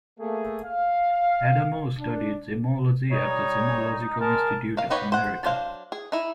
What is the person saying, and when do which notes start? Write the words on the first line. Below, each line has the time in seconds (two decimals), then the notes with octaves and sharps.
Adamo studied gemology at the Gemological Institute of America.
0.20 A3 A#3 G#4
0.64 F5
1.98 D4
3.11 G3 D#4 C#5
4.20 G#3 A#4 A5
4.77 A#3 F5
4.90 B3 D#4 G4 B4 C#5
5.12 C5 F#5
5.43 F#3 D4 C5 F5
5.92 G#4
6.12 D#4 E4